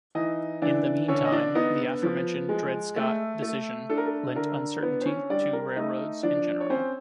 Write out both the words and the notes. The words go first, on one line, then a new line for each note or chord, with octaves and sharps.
In the meantime, the aforementioned Dred Scott decision lent uncertainty to railroads in general.
E3 D#4 D#5
E3 D4 D5
D3 C#4 C#5
D#5
D4 D5
B3 D#4 D#5
F3
G#3
A3
A3
D4 A4
A#4
A4
D3 A#4
B3 B4
C5
C#4 C#5
G3 D4 D5
A#4
A3 D#4 D#5
F3 D4 D5
C#5
C4 C#4 C5